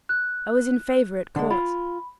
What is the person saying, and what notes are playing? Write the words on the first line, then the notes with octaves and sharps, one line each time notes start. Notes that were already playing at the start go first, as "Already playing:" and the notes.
I was in favour at Court.
F#6
D3 G#3 F#5
F4 B5